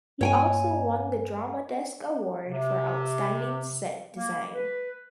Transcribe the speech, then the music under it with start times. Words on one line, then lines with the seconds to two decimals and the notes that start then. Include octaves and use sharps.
He also won the Drama Desk Award for Outstanding Set Design.
0.21 G2 A#3 C#5 G5 G#5
2.48 C3
4.14 A#3
4.54 B4